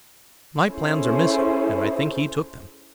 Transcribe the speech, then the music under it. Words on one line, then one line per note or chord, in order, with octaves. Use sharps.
My plans are missing, and I think he took them.
C#4 E4 G#4 A4 C5